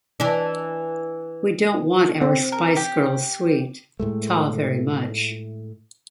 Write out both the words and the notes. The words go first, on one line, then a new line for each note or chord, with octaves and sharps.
We don't want our Spice Girls sweet, ta very much.
E3 D4
C4
A#4
G4
A2 G#3 A3